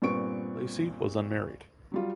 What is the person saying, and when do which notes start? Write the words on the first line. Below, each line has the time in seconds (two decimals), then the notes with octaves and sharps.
Lacey was unmarried.
0.02 G2 A#2 B3 C4 C#6 D7
1.92 F#3 G3 F4